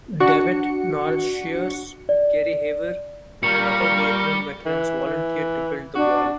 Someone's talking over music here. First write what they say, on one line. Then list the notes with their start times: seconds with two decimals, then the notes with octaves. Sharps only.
Devitt, Norris Shears, Gerry Haver, and other Vietnam veterans volunteered to build the Wall.
0.20 D4 F#4 C#7
2.09 D5
3.43 A#2 G3 A#4 C#6 C#7
4.65 E3
5.06 E3
5.95 D4 F#4